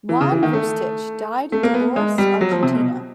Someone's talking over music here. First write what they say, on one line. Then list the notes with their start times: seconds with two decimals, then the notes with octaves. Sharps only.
Juan Vucetich died in Dolores, Argentina.
0.09 E3
0.21 C#3
0.32 E3
0.43 D#3
0.53 A3
1.52 A3
1.63 A#3
1.74 B3
1.96 G#3
2.18 G3
2.41 F#3
2.52 F3
2.63 C3
2.74 B2